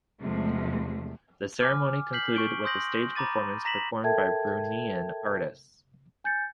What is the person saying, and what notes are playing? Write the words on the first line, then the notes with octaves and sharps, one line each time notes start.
The ceremony concluded with a stage performance performed by Bruneian artists.
E2 C3 F3 G#3 A3
G#5 D6 F6
F6 G6 B6 C7 F#7
C#6 G6 D7 G7
C6 D#6 G6 A#6 F#7
A#5 B5 D6 A6 D#7
A#5 A#6 B6 E7 F#7
A4 A#4 E5 G5 A5 G#6
G#5 G6 A6 C#7